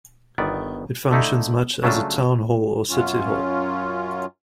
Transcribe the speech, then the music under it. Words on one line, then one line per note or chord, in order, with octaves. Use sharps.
It functions much as a town hall or city hall.
G1 D#3 B3 D5
D3 A3 D#4 E4
C#3 F#3 A3 D4 F4 A5
F#2 F#3 C#4 F4